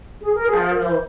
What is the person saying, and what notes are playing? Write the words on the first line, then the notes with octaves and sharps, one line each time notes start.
I don't know
G#4
A#4
G#4
A#4
C5